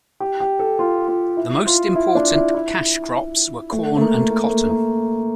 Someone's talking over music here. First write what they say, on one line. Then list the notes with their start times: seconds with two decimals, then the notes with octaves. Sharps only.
The most important cash crops were corn and cotton.
0.20 G4
0.40 G4
0.59 A4
0.79 F4
1.08 F4
1.37 E4
1.67 F4
1.95 E4
2.15 D4
2.35 E4
2.55 E4
3.72 A3
3.97 A3
4.01 A#3
4.30 A#3
4.45 A#3
4.50 A3
4.70 A#3